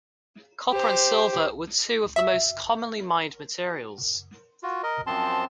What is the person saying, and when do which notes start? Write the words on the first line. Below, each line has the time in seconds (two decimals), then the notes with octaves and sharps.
Copper and silver were two of the most commonly mined materials.
0.71 G4 C5
2.16 E5
4.63 F4 F#4
4.83 A#4 D#5
5.07 F#2 F3 C4 A5 C6